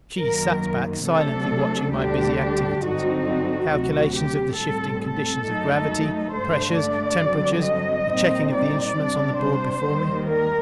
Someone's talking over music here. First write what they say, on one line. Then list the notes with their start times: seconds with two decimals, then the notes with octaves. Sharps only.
She sat back, silently watching my busy activities: the calculations of the shifting conditions of gravity, pressures, temperatures; a checking of the instruments on the board before me.
0.18 F#2 D#3 F#3 A#3 A#4
1.06 C3 F#3 A3 D4 A4
1.94 D2 D3 G3 D4 G4
2.82 G2 D3 F#3 C4 D#4 F#4
3.26 F#4
3.70 D2 C3 F#3
4.13 G4
4.57 A2 G3 C4 A4
5.01 A4
5.45 F#2 F#3 A3 D#4
6.33 G2 D3 A3 D4 C5
6.76 D5
7.20 G2 D3 F#3 C4
7.64 D#5
8.08 A#2 G3 C4 D#4
8.52 D5
8.95 C3 G3 D4
9.40 C5
9.83 D#2 D#3 G3 A#3
10.27 A#4